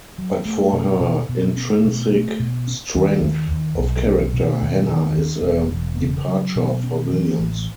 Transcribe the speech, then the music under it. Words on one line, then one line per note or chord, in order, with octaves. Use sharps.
But for her intrinsic strength of character, Hannah is a departure for Williams.
F#3
A3
B2
B2
B2
C#4
B2
A3
B2
C#4
D#2
D#2
D#2
B1
C#4
B2
D#2
D#3
D#2
E1
E1
C#3
F#3
B2
C#4
E3
A1